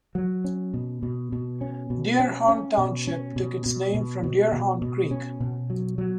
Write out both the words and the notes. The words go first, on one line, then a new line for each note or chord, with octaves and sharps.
Deerhorn Township took its name from Deerhorn Creek.
F#3
C#4
B2
B2
B2
C#4
B2
C#4
C#4
B2
C#4
B2
B2
B2
B2
B2
B2
C#4
B2
F#3
F#3